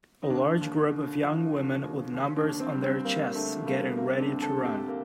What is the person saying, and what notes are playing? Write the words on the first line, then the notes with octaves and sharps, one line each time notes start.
A large group of young women with numbers on their chests getting ready to run.
D#4
D#2 D4
D#2
D3
F3
D3
D#2
D#2
D4
D#2
C4
G3
C4
G3 A#3
D3 A3
G3 A#3
C3 A#3
C4
D4
D2
A4
C3
G4
A#3